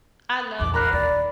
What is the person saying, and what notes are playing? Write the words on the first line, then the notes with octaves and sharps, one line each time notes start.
I love that.
A#1 E2 D6
A#4 A#5 B5 F#6
D#2 D5